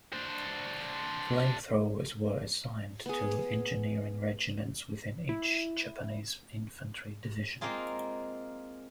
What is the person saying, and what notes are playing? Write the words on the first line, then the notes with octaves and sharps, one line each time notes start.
Flamethrowers were assigned to engineering regiments within each Japanese infantry division.
D4 C5
B3 G#4
E4
G#3 A#3 C4 D#4 F4 G#4